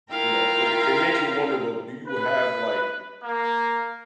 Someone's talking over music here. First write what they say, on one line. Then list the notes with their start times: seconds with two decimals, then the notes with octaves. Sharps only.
you know, it it makes me wonder though, do you have, like,
0.11 E4 F4 A#4 F5 G5 A#5
2.05 B4
3.23 A#3